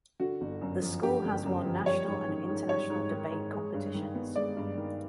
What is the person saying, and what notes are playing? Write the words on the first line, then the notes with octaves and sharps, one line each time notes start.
The school has won national and international debate competitions.
D3 F#4
G1
F#2
F3
D3 G4
G1
F#2
F3
G3 C#5
G#2
D#3
G#2
G3 C#5
G#2
D#3
G#2
G#3
G2
D#3
B3
G#3 D5
G2
D#3